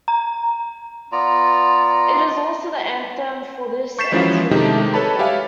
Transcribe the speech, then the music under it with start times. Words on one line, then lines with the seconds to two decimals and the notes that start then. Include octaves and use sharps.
It is also the anthem for this anti-war movement.
0.08 A#5
1.12 B3 F4 D5 A#5
3.99 C#6 G6 A6 B6 C7 E7
4.12 E3 F3 G#3 C#4 E4 F#4
4.51 C3 D#3 G#3 D#4 G4
4.94 A4 B4 C#5 A5 B5
5.19 G4 C#5 E5 F5 G#5